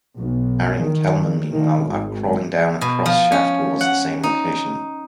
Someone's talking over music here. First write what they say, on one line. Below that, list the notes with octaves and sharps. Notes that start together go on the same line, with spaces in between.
Harry and Kellman, meanwhile, are crawling down a cross shaft towards the same location.
B1
D#3
D#3
G#1
B2
F3
C#4
F#5
D#4